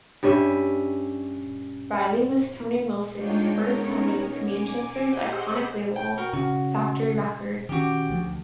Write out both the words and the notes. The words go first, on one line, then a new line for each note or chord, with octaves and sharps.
Reilly was Tony Wilson's first signing to Manchester's iconic label, Factory Records.
G2 G3 C#4 E5
G#3 D4 D#4 F4 C#5 G5
B3 C#4 D#4 A#4 C#5
G#5 D6
G4 G#4 C5 D#5 F#5 G6
G5
F#4 A#4 G5
C#3 F#4
D#3 C#4 F#4 G4
D2 F3